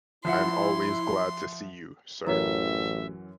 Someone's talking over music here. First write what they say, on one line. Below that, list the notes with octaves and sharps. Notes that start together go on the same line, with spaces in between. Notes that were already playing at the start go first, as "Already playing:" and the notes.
I'm always glad to see you, sir.
F3 E4 E5 F#5 C6
A1 F#2 E3 F#3 A#4 C#5 E5 A#5